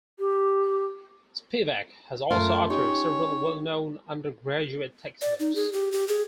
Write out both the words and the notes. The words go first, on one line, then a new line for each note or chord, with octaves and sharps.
Spivak has also authored several well-known undergraduate textbooks.
G4
F#2 A3 F4 A#4
C#4 D#4 G4 C#5
D5
D#4
G#4
G4
G4
G#4